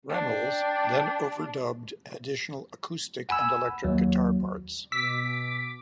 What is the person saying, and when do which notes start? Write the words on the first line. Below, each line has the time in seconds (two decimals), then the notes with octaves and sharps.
Reynolds then overdubbed additional acoustic and electric guitar parts.
0.10 D4 G5
3.29 F#5 G#5 B5 E6
3.84 D#2 F#3
4.92 B2 D6 E6 B6